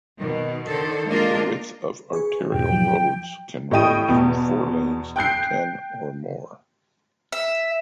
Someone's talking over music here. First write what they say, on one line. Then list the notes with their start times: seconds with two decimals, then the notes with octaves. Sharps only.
The width of arterial roads can range from four lanes to ten or more.
0.19 B2 D#3
0.65 D3 D#3 A4 C5
1.07 G#3 A#3 D4 F4 A#4 D#5
2.13 G#4 B4 C#6
2.52 E2 G#2 B2 G5
2.70 F3 F#3
3.71 A2 G4 D#5 G5 D#6 D#7
4.09 E2 B2
5.16 G5 F#6 G6 C7
7.32 E5